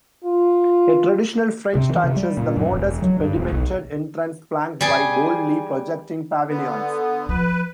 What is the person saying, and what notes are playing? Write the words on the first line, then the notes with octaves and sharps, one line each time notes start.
A traditional French touch is the modest pedimented entrance flanked by boldly projecting pavilions.
F4
C3
E3
C3
G3
A#2
F#2
E1
F#3
G2
E1
B1
G3 G#4
D3 B3
F3 B4